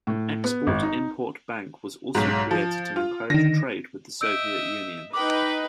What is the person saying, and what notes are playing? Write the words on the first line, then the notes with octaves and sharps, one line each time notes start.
An Export-Import Bank was also created to encourage trade with the Soviet Union.
A2
B3
G#1
D#4
B1 G#2
F3
F4
D3 D#3 A#6
D#5 E5 E6 G6 D7
D#4 B4 G5 B5 D6